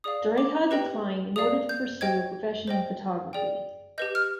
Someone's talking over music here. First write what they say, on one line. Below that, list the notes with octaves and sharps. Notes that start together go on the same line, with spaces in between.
Dreja declined in order to pursue a profession in photography.
G#4 D5 F5 D#6
D6
G4 B4 D#5 G5
G#4 D5 F5 D#6
G6
C5 D#5 G5 G#6
C5 D#5 G5
G#4 D5 G5
G4 B4 D#5 G6
F6